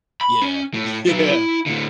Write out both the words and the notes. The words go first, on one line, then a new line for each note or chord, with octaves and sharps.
Yeah. Yeah.
B5
C#4
A2
F#3 B4
E4
A2 D3